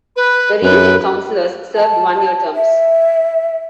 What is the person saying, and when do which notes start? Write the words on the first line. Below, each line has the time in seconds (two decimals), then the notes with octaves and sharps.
The reeve and councillors served one-year terms.
0.16 B4
0.63 F#2 B4
1.75 A5
2.56 E5